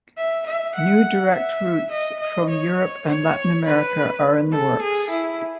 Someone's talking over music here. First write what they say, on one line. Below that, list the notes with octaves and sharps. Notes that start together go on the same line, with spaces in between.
New direct routes from Europe and Latin America are in the works.
E5
E5
F#5
E5
D#5
D#5
C#5
C#5
B4
A4
G#4
E4